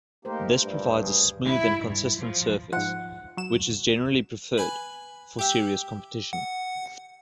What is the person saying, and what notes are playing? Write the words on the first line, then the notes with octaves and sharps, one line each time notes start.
This provides a smooth and consistent surface, which is generally preferred for serious competition.
A3 A#3 D#4 G4 A#4 C5
G2 A#2 G3
G#4
E4
G2
F3
G#2 F3 F#5
F#3 E7
B4 G#5 B5
G4 E5 G5
F#5